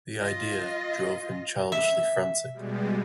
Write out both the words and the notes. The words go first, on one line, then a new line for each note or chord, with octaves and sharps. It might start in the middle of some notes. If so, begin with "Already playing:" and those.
The idea drove him childishly frantic.
F4 D#5
E5
B2 G3 G#3